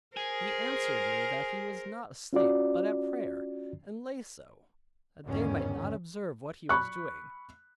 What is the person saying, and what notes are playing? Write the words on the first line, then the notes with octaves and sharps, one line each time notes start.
He answered me that he was not asleep, but at prayer; and lay so, that they might not observe what he was doing.
G#4 A#4 C5
C#4 F4 F#4 D5
G1 E2 G#2 D3 D#3 C#4
B5 C#6 F#6